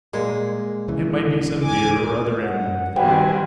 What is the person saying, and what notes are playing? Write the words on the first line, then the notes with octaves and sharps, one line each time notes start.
It might be some deer or other animal, he thought.
A#2 G#3
D2 C#3 E3
G#5 D6
F#5
D#3 G3 C4 F#4 B4 G5 G#5